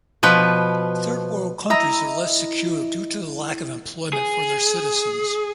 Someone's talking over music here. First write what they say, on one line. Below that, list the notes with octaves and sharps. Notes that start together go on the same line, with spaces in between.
Third world countries are less secure due to lack of employment for their citizens.
B2 F3 B4
E4 D#5 A#5 E6
G#4